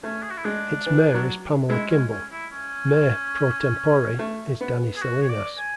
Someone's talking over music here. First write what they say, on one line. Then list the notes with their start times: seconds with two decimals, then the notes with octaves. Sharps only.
Its Mayor is Pamela Kimball, Mayor Pro Tempore is Danny Salinas.
0.03 A3 C#4
0.23 G#4
0.31 F#4
0.37 E4
0.45 G#3 D4
0.86 E3
1.14 F#3
1.70 G#3 E4
1.90 C#4
2.11 C#4
2.32 E4
2.53 C#4
4.19 A3
4.61 B3
4.97 G#4
5.02 F#4
5.22 C#5
5.30 D5
5.58 G#5